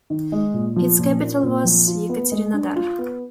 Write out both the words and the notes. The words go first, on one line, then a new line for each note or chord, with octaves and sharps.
Its capital was Yekaterinodar.
D#3
G#3
A#2
F3
A#2
A#3
A#2
F3
F4
B3
G#3
D4
F4
B3